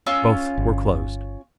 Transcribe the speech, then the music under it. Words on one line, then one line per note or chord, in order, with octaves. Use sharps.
Both were closed.
C#4 F4 E6
G1